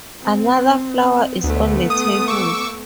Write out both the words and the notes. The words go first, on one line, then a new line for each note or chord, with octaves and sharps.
Another flower is on the table.
C4
D2 A3 B3
D#6
C#6 D6 E6